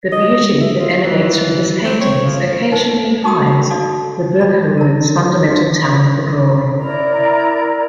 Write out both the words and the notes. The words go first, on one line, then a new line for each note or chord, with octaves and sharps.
The beauty that emanates from his paintings occasionally hides Verboeckhoven's fundamental talent for drawing.
D#5
E5
F4
E3
C4
C#5
F3
D#4 B4 C5
D#4 F#4 A#4 G5 A#5 D#6
D#4 F#4 A4 D5 F5 D#6
B5
A#4 A#5
E4 A#4 D5 A#5